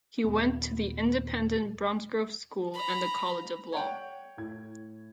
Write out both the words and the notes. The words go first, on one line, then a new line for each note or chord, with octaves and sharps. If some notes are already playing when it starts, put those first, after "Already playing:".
He went to the independent Bromsgrove School and the College of Law.
D#1 B3
A#5 B5
C#5 F#5 G5
A2 G#6